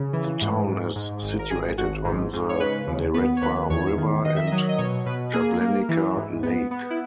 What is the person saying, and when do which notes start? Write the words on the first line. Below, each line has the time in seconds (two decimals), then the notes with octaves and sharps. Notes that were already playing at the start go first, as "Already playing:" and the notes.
The town is situated on the Neretva river and Jablanica lake.
Already playing: C#3
0.13 E3
0.41 G#2
0.68 G#2
0.96 G#2
1.23 G#1
1.39 A#4
1.50 G#1 G#4
1.78 G#1 F#4
2.05 G#2
2.33 G#2
2.49 C#5
2.60 C#3 B4
2.87 D#2
3.14 B3 B4
3.37 C#5
3.41 D#2 B4
3.70 E2 C#5
3.97 D#3
4.24 D#3 D#5
4.36 E5
4.47 D#5
4.52 F#3
4.69 D#5
4.78 B2 C#5
5.06 B2 B4
5.33 A#3 G#4
5.61 A#3
5.89 E3
6.16 G#2
6.43 B3
6.71 B3
6.90 E4